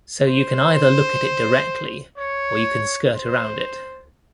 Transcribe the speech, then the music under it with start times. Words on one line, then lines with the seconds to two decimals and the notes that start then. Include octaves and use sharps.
So you can either look at it directly or you can skirt around it.
0.26 C5
0.74 C5
2.18 C#5
3.16 C5